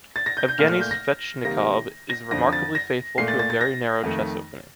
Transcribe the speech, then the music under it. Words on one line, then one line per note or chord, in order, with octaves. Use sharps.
Evgeny Svechnikov is remarkably faithful to a very narrow chess opening.
A6
A#6
G6
G6
A#2 A3 F6
F6
G6
A#6
C3 D#3 G3 A#3 A#6
A#6
F2 D3 F3 A#6
A6
A#6
A#2 A3 C7
A6
A6
A6
A#6
F2 D#3 A3